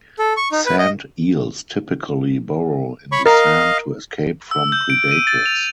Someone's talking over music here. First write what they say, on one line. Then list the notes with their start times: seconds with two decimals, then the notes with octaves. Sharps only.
Sand eels typically burrow in the sand to escape from predators.
0.19 A4
0.37 C#6
0.52 D#4
0.66 B4
0.79 D#5
3.12 C#5 B5 C#6
3.26 A#4 D#5 F5
4.51 E6
4.72 G6
4.90 D7
5.11 D#7
5.27 A6
5.46 F7